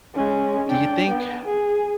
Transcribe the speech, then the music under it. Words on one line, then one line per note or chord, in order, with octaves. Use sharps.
do you think, uh,
G#3 C#4
D4 G5
B3
G#4